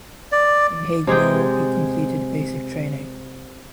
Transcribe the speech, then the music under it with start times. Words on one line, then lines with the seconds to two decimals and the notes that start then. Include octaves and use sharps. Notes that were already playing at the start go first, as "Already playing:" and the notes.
In Haguenau he completed basic training.
0.32 D5
1.07 C3 G#3 G#4 G5